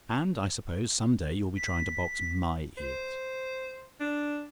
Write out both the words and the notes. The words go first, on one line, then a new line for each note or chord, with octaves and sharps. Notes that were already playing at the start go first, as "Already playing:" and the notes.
And I suppose, some day, you'll be trying to box MY ears?
B6
C5
D4